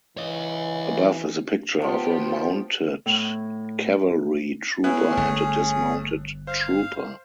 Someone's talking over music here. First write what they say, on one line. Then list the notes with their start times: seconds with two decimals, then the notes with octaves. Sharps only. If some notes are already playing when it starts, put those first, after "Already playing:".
Above is a picture of a mounted cavalry trooper and a dismounted trooper.
0.17 E3 C#5 D#5
1.82 F3 B3 F4 G4
3.06 A2
4.84 B3 C#4 E4 G#4 F#6
5.17 G1 A3
6.47 C5 F5